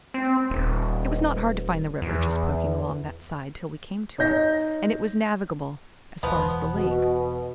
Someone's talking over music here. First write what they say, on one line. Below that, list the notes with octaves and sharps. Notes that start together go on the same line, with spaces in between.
It was not hard to find the river, just poking along that side till we came to it, and it was navigable as far as the lake.
C4
D#1
E2
D#4 C#5 G6 A#6
E1 E2 F3 B3
B2